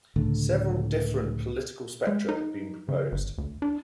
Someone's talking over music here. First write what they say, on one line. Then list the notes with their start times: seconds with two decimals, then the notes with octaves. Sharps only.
Several different political spectra have been proposed.
0.16 C#2 A2 D3 A3
2.07 G#3
2.29 D#4
2.89 C#3
3.12 G1
3.38 D2
3.62 D4